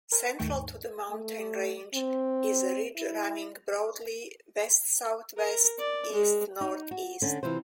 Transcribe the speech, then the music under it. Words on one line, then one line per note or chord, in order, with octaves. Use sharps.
Central to the mountain range is a ridge running broadly west-south-west - east-north-east.
A#4 C5 G#5
D#2 G#2 D#3 A3 G5 C#6
A3
C4
E4
A#4
D5
G#3
D#4
F#4
D3 C#4
C3 E3 F4 C5